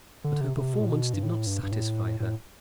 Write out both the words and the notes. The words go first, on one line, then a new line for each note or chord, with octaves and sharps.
But her performance did not satisfy her.
D3
C3
C3
B2
A2
B2
G2
A2
G2
G2
A2
A2